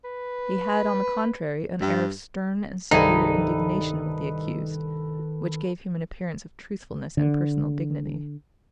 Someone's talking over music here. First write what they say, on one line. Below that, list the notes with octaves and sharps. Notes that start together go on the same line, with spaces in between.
He had, on the contrary, an air of stern and severe indignation with the accused, which gave him an appearance of truthfulness and personal dignity.
B4
G2
C2 G2 D#3 D#4 G#4 A4 B4
D3